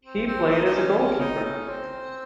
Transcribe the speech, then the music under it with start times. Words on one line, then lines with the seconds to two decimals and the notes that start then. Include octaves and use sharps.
He played as a goalkeeper.
0.04 C4
0.27 C4
0.51 D#4
0.65 D#4
0.74 C#4
0.98 C#4
1.21 D#4
1.45 C#4
1.69 C4